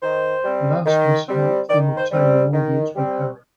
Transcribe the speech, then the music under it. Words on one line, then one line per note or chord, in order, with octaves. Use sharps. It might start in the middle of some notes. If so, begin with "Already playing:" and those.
Blastus helped them obtain an audience with Herod.
D#3 C5
G3 C4
D#3
G3 C4
D#3 D5
C5
G3 C4
D#3
G3 C4